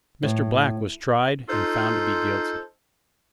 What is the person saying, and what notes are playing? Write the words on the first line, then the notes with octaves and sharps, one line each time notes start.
Mr. Black was tried and found to be guilty.
A2
D#4 F4 A4 C5